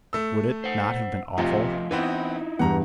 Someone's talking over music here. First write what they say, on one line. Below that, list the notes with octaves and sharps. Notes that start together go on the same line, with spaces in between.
Would it not have been awful?
A3 E6
C5 F#5
D2 C3 F3 A3 F4 D#5
E3 B3 C4 D#4 E4
E2 G2 F#5 A#5